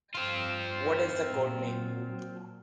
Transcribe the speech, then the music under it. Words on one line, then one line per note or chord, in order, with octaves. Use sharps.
What is the codename?
G2 C4 F4
A#2 F#3